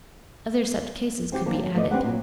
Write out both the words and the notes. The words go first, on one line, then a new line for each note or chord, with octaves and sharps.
Other such cases could be added.
C4 F#4 G4
F#2 F3 A#3 C4 D4
F#3
F3 A3 B3 D5 D#5
C4 D4 G4 B4 C5 F#5
A#2 F#3